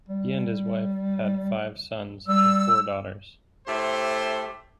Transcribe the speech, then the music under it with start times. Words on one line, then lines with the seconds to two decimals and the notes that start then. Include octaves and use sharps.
He and his wife have five sons and four daughters.
0.09 G3
2.28 G3 E6
3.67 A2 A3 G4 C5 E5